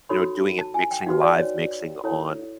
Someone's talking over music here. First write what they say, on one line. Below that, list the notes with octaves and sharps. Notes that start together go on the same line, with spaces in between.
you know, doing it, mixing live mixing on,
D#4 F#4 A4 C#5 B5
A5
G#5
G5
F#5
D#4 F#4 B4 F5
D5
C#5
E4 A4 C#5